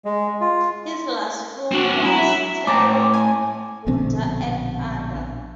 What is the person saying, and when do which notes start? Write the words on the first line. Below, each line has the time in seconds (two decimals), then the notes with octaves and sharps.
His last film was "Tero Gunda Ek Panda".
0.05 G#3
0.41 F4
1.72 C4 D4 F#4
2.03 F#3 E4
2.18 E5
2.67 A2 A5 A#5 D6
3.13 G#5
3.87 A#1 B2 D3 C4